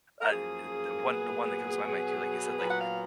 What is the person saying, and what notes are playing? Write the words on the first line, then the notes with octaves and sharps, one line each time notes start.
uh, th the one the one that comes to my mind too, like you said, like
A#4
F#2 F3 A#3 G#4
A#2 F#3 B3
B2 F#3 B3
A#2 F#3 B3 B4
F#5
F5